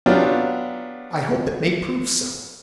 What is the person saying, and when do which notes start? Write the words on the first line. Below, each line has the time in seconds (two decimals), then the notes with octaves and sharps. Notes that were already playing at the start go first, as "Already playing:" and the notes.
'I hope it may prove so.
0.06 F#3 B3 D4 F4 G4